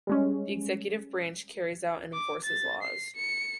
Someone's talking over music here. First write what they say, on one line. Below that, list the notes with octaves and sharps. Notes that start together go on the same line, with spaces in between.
The executive branch carries out and enforces laws.
G3 G#3 C#4
D6
A6
C7
C#7